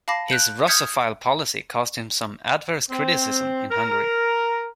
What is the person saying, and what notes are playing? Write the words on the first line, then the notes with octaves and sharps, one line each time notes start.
His Russophile policy caused some adverse criticism in Hungary.
F5 A5 B5 D6 A#6 C7
F#6 G6 D7 F#7
D#6 F6 G6 G#6 B6 C#7
C4
A#4